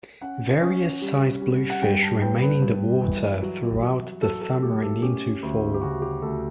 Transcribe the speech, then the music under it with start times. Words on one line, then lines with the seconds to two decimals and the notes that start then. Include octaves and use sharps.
Various size bluefish remain in the water throughout the summer and into fall.
0.21 C#4 F#5
0.61 C#4
1.01 G3
1.41 G3
1.70 F#5
1.82 G2 G5
2.03 A5
2.21 B3 G5
2.42 B4
2.62 G2
3.01 E3
3.42 F#3
3.82 F#3
4.22 F#3 A4
4.41 A4
4.62 A2 G4
4.83 A4
5.02 C#4 G4
5.43 D2
5.74 G4
5.82 C#3 F#4
6.02 G4
6.22 D2 A4